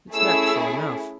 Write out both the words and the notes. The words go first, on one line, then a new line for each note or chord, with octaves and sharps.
It's natural enough.
A3 C#4 E4 G#4 E6